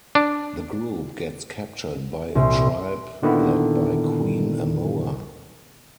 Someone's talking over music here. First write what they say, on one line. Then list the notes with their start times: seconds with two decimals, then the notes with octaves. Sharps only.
The group gets captured by a tribe led by Queen Amoa.
0.15 D4
2.35 C2 A#2 C5
3.22 A#2 D3 D#3 B3 E4